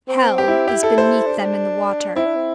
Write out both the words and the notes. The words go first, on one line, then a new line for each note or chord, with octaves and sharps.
Hell is beneath them in the water!
C4
G4
E4
E4 G4
A4
C5
D4
D4
C4 E4
D4
C4